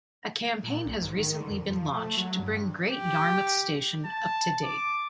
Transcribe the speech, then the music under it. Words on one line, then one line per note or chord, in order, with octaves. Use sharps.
A campaign has recently been launched to bring Great Yarmouth Station up-to-date.
A#2
B1
G#2
D#3
D3
F2
F3
A3
F#3
G2
G4
A5
D6